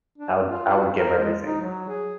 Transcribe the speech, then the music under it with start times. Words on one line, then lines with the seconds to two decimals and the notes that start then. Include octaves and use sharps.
I would I would give everything.
0.18 D4
0.48 F4
0.73 F#4
0.96 A#4
1.18 G#3
1.45 D#4
1.61 F#3
1.89 G#4